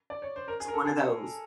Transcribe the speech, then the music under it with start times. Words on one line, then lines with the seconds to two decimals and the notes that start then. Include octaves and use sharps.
one of those.
0.10 D5
0.22 C#5
0.36 C5
0.48 A#4
0.60 G#4
0.68 A#4
0.74 A4
0.85 G#4